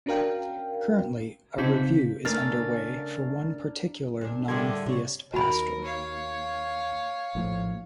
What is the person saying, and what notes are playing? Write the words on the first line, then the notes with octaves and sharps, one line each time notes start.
Currently, a review is underway for one particular non-theist pastor.
C#4 D4 F#4 A#4 F5 G5
C#3 C4 D#4 F4 G6 B6
C#3 A3 A#3 D4 A#4 F6 A6
A#2 D4
A2 D3 G3 A#3 G4 G#4 C6 G#6
C3 D4 C#5
D#2 F#4 A#4 B5
C#5 F5
A#1 A2 F3